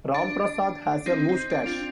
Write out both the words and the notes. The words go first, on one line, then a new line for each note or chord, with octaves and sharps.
Ramprasad has a moustache.
D4
C4 D#4
C4
D4
D4 F4